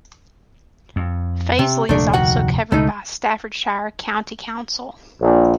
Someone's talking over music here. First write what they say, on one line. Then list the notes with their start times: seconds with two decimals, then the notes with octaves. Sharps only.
Fazeley is also covered by Staffordshire County Council.
0.96 F2
1.59 C3
1.89 F1 D2 A#2 A3 D4
2.14 D#3 F#4 F#5
2.72 C#2 B2 A3 D#4
5.21 A#1